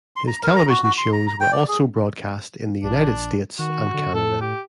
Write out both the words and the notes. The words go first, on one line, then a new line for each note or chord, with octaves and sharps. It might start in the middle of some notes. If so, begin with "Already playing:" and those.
His television shows were also broadcast in the United States and Canada.
C6
A#5
A#4
A#5
F#4
F#4
C6
A#5
A#5
G5
D5
G#4
A#1 D4
D#3 F#4
D3
A2 A4
G4